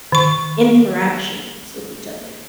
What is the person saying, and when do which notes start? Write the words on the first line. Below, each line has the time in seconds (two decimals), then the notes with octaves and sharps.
interactions with each other.
0.12 D#3 C#6